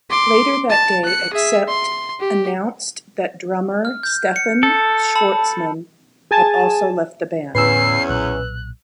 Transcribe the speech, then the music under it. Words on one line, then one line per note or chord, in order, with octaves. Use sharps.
Later that day, Accept announced that drummer Stefan Schwarzmann had also left the band.
C6 D6
A5
F#6 C#7
G#4 E5
C6
G4
F6
G6
C#7
A4
A5 B5 E6
G#4 G#5 A5
E2 A2 D3 C#4 B4 E6 C7
B1 A#2 F#3 F#6